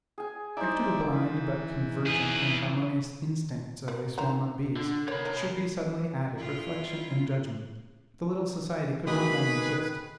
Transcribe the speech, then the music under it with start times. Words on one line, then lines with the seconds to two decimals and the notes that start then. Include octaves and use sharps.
If to the blind but convergent and harmonious instincts of a swarm of bees should be suddenly added reflection and judgment, the little society could not long exist.
0.18 G#4 G#5
0.57 D#4 E4 C5 D5
1.13 E3
2.06 G#4 B4
3.88 A#3
4.18 D#3 C5 A#5
4.76 D3
5.08 A#3 C#5 B5
5.25 B3 A#4
6.35 E4 F4
9.07 B2 D#3 A3 A#3 G#4 B4 B5